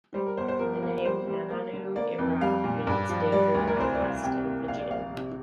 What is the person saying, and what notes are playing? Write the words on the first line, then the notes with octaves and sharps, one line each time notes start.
The name "Nananu-I-Ra" means "Daydream of the West" in Fijian.
G3 C5
A#4
G1 C5
C5
F3 A#4
A#3
G3 C5
G3
A#3
D3
A#3 D5
F2
G3 F5
A#2
G2
F3
G3 D5
D2
A#4
C2 C5
D5
C2
F5
C3 G5
A#3
A#1 F5
D5
A#1 F5
C3